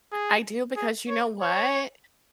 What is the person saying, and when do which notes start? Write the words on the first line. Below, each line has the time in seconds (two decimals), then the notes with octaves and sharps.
I do because you know what,
0.12 G#4
0.77 G#4
1.09 C#5
1.42 C#5